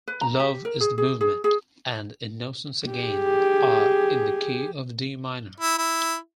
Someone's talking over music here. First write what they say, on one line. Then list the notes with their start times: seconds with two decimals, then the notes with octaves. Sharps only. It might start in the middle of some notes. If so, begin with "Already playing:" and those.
"Love is the Movement" and "Innocence Again" are in the key of D minor.
0.08 B4
0.21 A#5
0.39 G4
0.65 A#4
0.80 G#4
0.98 G#4
1.21 G#4
1.44 G#4
2.91 G4 G#4
5.60 E4
5.78 E4